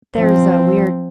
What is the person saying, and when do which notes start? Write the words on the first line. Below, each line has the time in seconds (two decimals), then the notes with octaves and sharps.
there's a weird
0.17 F3 C4